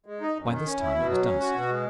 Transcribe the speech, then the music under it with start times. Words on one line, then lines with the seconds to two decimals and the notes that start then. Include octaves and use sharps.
By this time it was dusk.
0.06 G#3
0.21 D#4
0.36 F#2
0.50 D#3
0.65 C#4
0.80 E4
0.95 B2
1.09 F#3
1.24 C#4
1.40 F#4
1.54 B2
1.68 G#3